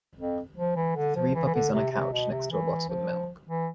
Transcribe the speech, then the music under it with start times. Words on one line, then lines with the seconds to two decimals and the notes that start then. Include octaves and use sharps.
Three puppies on a couch next to a bottle of milk.
0.19 F2
0.58 F3
0.76 E3
0.96 D3
1.16 F3
1.35 E3
1.45 E3
1.54 D3
1.72 C3
1.92 C3
2.12 B2
2.31 C3
2.51 E3
2.89 F3
3.47 E3